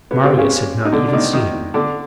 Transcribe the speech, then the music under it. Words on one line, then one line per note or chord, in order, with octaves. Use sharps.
Marius had not even seen him.
B2 B3
C3 C4
C#3 C#4
D#4
D3 D4
D4
D#3 D#4
D#3 D#4
D3 D4